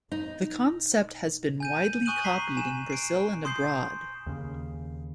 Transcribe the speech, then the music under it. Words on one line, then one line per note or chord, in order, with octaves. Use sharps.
The concept has been widely copied in Brazil and abroad.
D#4
G#5 G6 D#7
G#5 C#6 D#6 F#6 D#7 F#7
A#5 C#6 B6 C7
G#5 E7
C7 D7
C6 D#6 G6 C7
D#2 C#3